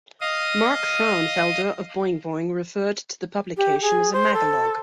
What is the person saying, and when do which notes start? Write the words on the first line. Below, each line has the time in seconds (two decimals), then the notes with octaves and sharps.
Mark Frauenfelder of Boing Boing referred to the publication as a magalog.
0.21 D#5 F5 D#6
3.57 G4
3.82 G#4
4.13 C5
4.34 A4